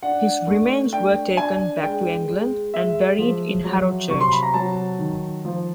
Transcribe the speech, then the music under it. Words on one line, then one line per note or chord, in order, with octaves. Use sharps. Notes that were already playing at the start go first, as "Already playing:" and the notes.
His remains were taken back to England and buried in Harrow Church.
D4 F#5
A3
D4 G5
D4 G#5
G#3 G5
G#3
G#3 E5
F3
F#3
C3 C#6
C6
B5
A#5
F#3 A5
D#3
F3